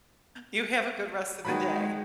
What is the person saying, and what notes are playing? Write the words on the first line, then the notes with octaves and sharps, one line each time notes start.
You have a good rest of the day.
D#3 F#3 G#3 A#3 F#4 B4 B5